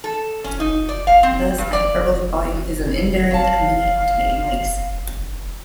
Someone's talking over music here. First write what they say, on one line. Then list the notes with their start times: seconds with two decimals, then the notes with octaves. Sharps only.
Thus hyperbolic volume is an invariant of many alternating links.
0.04 A4
0.44 C#4
0.60 D#4
0.89 D5
1.07 F5
1.23 C4
1.58 G2
1.73 D5
3.31 C#5 F5 A5